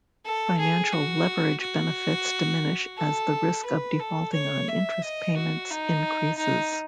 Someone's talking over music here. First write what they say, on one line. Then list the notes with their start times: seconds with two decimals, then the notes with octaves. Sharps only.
Financial leverage benefits diminish as the risk of defaulting on interest payments increases.
0.25 A4
0.59 G#4
0.92 F#4
1.60 F#4
2.98 A4
3.65 B4
4.00 A4
4.33 C#5
4.68 E5
5.02 D#5
5.36 F#4
5.71 D#4
6.38 D#4